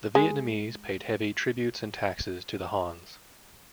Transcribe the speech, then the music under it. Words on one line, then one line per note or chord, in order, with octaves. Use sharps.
The Vietnamese paid heavy tributes and taxes to the Hans.
G#3